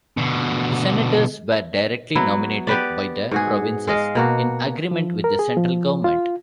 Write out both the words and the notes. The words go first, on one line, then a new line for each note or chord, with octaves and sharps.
The senators were directly nominated by the provinces in agreement with the central government.
B2 D3
F#3 B3 E4
B3 G4 B4 D5
G#2 F#4 G#4
G#3 D#5 F5
B2 A#3 F#4
F3
A#4
G#4
F3
F4